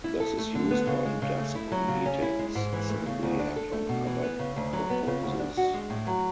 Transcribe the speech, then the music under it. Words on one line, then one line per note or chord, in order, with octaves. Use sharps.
This Is Used on Desk On Meetings, Assembly and on Other Proposes.
E4
A4
A3
D3
B3
C#3
G#3
C#3
A3
E4
F#3
C#3
C#4
E4
G#3
G#2
E3
A3
C#3
D2
D4
A4
A3
B2
E3
B3
C#3
D2
F#3
B3
C#3
D2
D4
F#4
G#3
A2
F#3